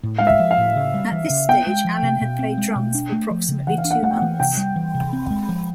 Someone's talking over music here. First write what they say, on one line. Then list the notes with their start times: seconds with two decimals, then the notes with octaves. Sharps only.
At this stage, Allen had played drums for approximately two months.
0.03 A2
0.18 G#3 F5
0.27 E5
0.40 F3
0.51 F5
0.58 A2
0.76 C#3
0.94 G3
1.12 E3
1.30 C#3
1.48 B3 G5
1.67 G#3
1.85 F3
2.03 C3
2.21 B2
2.39 C4
2.58 G#3
2.76 B2
2.95 D4
3.12 A3
3.31 F3
3.49 C#3
3.67 E3 F#5
3.78 F5
3.85 D4
3.91 F#5
4.03 A3 F#5
4.11 G5
4.17 E3 F#5
4.40 C3 G5
4.57 G3
4.76 E3
4.94 C3
5.13 C4
5.30 G#3
5.49 F3